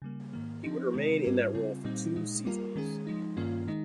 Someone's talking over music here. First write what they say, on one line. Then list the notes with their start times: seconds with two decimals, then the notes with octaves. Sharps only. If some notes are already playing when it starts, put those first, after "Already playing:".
He would remain in that role for two seasons.
0.02 C#3 G3 A#3
0.33 G#2 D#3 A#3
0.64 F3 C4 D#4 G4
0.93 C3 D#3 G#3 C4
1.23 G#2 G3 C#4 F4 A#4
1.54 C#3 G3 C4 F4
1.84 A#2 G3 C4 D#4
2.16 A#2 G#3 D#4
2.45 G3 A#3 F4 A#4
2.76 D#3 G#3 C#4 G#4
3.07 F3 G#3 D#4
3.37 G2 D#3 A#3 C#4 F4
3.67 D#3 G#3 D#4